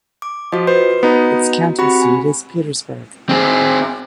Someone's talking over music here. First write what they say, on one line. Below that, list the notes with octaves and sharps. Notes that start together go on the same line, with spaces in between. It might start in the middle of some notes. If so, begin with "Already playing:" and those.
Its county seat is Petersburg.
D6
F3 F4 F#4 D#5
B4 C5
B3 D#4 F#4
C4 F#4 G4 B5
G#5
C4 G#4